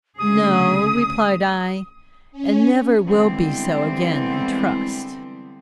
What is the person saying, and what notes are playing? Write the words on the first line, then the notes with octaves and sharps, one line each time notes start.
'No,' replied I, 'and never will be so again, I trust.'
D2 C#3 G#4 D#6
C#4
D3 E3 G3 G#3 B3 C4